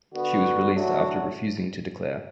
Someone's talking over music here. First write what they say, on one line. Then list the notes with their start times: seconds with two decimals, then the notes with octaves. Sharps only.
She was released after refusing to declare.
0.13 D3 B3 F#4
0.73 A2 F#3 D4 F#4